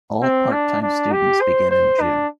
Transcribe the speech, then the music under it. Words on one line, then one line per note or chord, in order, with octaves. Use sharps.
All part-time students begin in June.
C4
D4
D4
G4
C5
C5
D4